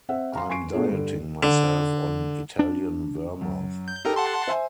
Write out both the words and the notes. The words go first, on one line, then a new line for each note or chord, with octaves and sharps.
I'm dieting myself on Italian vermouth.
C4 E5 F#5
F5 A#5 C6
G#5 C6 C#6 C7 D7
B2 A3 B3 D4 F4 G#4
G2 D3
D3
D4
F#2
G6
D#4 G4 A4 A#4
F#5 A5 C6
C5 E5 G#5